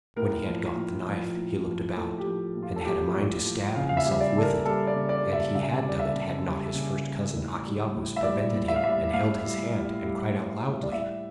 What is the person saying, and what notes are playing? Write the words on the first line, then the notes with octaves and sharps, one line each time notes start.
When he had got the knife, he looked about, and had a mind to stab himself with it; and he had done it, had not his first cousin, Achiabus, prevented him, and held his hand, and cried out loudly.
A2 A#4
F3
A2
F3
A2
F3
A2 A4
G4
F3
A2
F4
A4
F3 G4
A2
F3
C#3 F5
F5
E5
G3
E5
D5
C#3 A4
A#4
G3 A4
D5
C#3
D5
G3
E5
C#3 E5
G3 D5
E5
C#3
G3
C#3
G3
A2
G3
A2
E5
G3 D5
A2
E5
F5
G3 E5
A2 F5
G3
A2
G3
A2
G3
D5
A2 E5